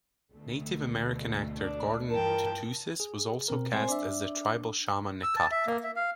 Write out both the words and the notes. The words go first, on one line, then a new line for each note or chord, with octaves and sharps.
Native American actor Gordon Tootoosis was also cast as the tribal shaman Nekata.
D2 B2 A3
D4
G2 E3 F3 A#4 G5 A5
G#4
B2 C4 A#4
G#3 C4 C5 G#5
D4 D5 E5
E6
A5
E5
A#3
E5
F5